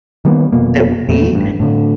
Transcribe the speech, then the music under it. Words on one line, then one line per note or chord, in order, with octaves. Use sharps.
that we need.
D#3 G3 A#3 B3
F1 B2 A#3
E2 A#2 A3
A1 G2
A2 D3